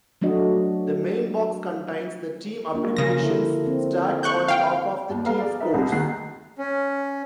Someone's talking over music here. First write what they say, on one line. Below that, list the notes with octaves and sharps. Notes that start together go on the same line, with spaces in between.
The main box contains the team abbreviations, stacked on top of the team scores.
F#3 A3 D4 F#4 D#5
A#3 D4 F4
C#3 F3 A#4 A#6
D3 E4 A4
C4
C#6 F#6 G6
F5 G5
G1 D#2
B3 A4 B4 F5 A#5 B5
G#4 D5
D#4 A#4 B4 E5
C2
D2 D#3 G#4 A#4 F#6 C7
C#4